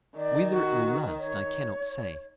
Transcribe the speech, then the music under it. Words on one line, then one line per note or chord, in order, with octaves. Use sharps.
"Whether it will last I cannot say."
D#3 D5
F#4
C#5